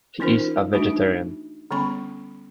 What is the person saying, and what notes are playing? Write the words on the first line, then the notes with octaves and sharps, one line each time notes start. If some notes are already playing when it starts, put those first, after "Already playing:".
He is a vegetarian.
E3 C#4 D#4 F4 A#4 C5
A3 D4 D#4 F#4
D3 G3 B3 C#4 B5 C#6